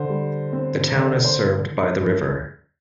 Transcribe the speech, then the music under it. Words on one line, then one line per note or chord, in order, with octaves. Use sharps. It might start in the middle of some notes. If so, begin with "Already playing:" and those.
The town is served by the River.
Already playing: D3 C5
G3
C4
D3
C5